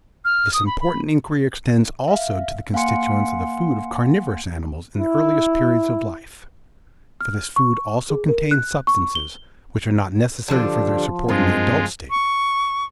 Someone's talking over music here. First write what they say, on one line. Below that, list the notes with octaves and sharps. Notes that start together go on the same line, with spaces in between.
This important inquiry extends also to the constituents of the food of carnivorous animals in the earliest periods of life; for this food also contains substances, which are not necessary for their support in the adult state.
F6
D#6
B5
B5
E5 F5
A#3 F5 F#5 G#5 C6 C#7
E4
F6
C#6
G#4
A#4
F#6
C#6
G7
D3 F3 G3 D4
G2 D#3 G#3 C4 F4
C#6